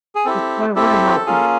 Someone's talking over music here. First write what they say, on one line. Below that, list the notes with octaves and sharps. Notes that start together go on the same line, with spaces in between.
That's why I wonder how ooh,
G#4
C4 E4 G4 A4
C4 E4 G4 A4
A#3 C#4 F4 G#4